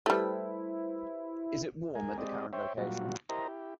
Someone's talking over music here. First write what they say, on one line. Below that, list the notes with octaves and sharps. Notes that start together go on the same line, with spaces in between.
Is it warm at the current location?
G3 A3 E4 G4 B4 C5
G#3 A#4 G#5
G#3 C4 G4 D5 D#5
C5 C#5 E5 G5
A#2 F#3 G3 F4 F#4
E4 G4 A#4 C5 D#5 A#5
E4 G4